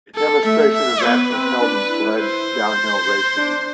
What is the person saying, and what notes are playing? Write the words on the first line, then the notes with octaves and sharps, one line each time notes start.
A demonstration event was held in sledge downhill racing.
A4
A3 E5
E5
B3 B4
C4
D4
E4
C5
D4